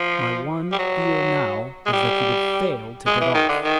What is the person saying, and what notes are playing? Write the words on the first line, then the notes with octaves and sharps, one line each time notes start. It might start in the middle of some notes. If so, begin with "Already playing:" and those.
My one fear now was that he would fail to get off.
Already playing: F3
G3
F#3
G#3
G3
G#3
E3
D#3
D3
D#3